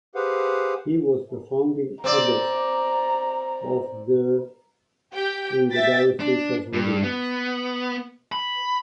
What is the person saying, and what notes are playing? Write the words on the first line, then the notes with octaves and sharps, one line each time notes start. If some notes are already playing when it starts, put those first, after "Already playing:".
He was the founding abbot of the in the Diocese of Rheims.
G4 G#4 B4 C5 F5 F#5
C4 D5 A#5
G4 G5
E5 G5 A6 B6
D4
G2
B3
B5